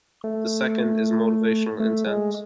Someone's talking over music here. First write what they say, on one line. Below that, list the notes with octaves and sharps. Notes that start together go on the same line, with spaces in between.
The second is "motivational" intent.
A3
A3
G#3